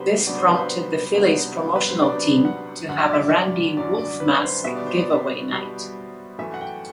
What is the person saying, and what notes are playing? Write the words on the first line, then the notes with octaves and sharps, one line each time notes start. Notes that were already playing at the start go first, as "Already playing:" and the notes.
This prompted the Phillies promotional team to have a Randy Wolf Mask giveaway night.
Already playing: C3 F#3 B3 D4 G4 B4 C5
C3 F#3 B3 D4 D5
C5
B4
C5
C3 F#3 B3 D4
B4
C5
C3 F#3 B3 D4 D5
F#5
F#2 D3 F#3 F#5
E5
D5
E5
E5
D5
F#2 D3 F#3 D5
D5
B4
C5
B2 G3 B3 E5
D5
C5
D5
B2 G3 B3
F#2 E3 A3 E5
F#5
G5